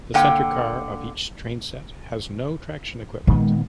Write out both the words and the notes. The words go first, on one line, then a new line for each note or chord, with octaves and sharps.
The centre car of each trainset has no traction equipment.
D3 A#3 G5
A#2 D#3 G#3 B3